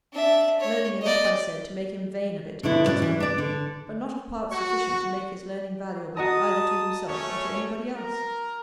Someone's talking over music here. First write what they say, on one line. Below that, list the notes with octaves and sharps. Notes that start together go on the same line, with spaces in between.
Learning enough, I said, to make him vain of it among us women: but not of parts sufficient to make his learning valuable either to himself or to any body else.
D4 E5
C#5
D5 D#5
B2 D3 B3 E4
C#4 F#4 D5
E3
D4 D5
D3
F#4 C#6
F#4 D#5 A5 A#5 D#6
A3 C#4 C#5
A#4